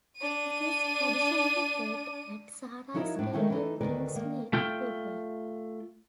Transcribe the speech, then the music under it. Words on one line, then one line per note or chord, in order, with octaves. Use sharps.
It is traditionally played at Sahara Stadium Kingsmead, Durban.
D4 D#7
F3 F#3 D#4 E4 A#4
A2 D4
D#3 F#3 G#3 A3 D#4 E5
E3 D#4 A4
D2 D3 D#3 A#4 B4 D5
D#3 A#3
A3 F4 G5